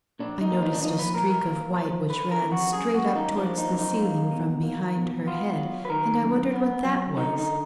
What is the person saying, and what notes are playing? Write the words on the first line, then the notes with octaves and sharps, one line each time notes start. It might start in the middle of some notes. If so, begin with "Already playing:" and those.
I noticed a streak of white which ran straight up towards the ceiling from behind her head, and I wondered what that was.
A#2 D4
D#4
A#3
D#4
D4
F3 D#4
B4
A#2 A#4
A#4
A#3
F3
D3 B4
A#4
F2
F#4
F#2 G#4
F#4
A#3
D#4
F3 D4
D#4
F#2
D#4
A#3
B2
A#3
B2
B3 F4
F#3
B4
D#3 A#4
F#2
B3
F#3
D3 D#4
D#4